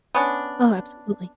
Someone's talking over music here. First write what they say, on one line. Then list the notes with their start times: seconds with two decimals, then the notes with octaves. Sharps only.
Oh, absolutely.
0.15 B3 C#4 D4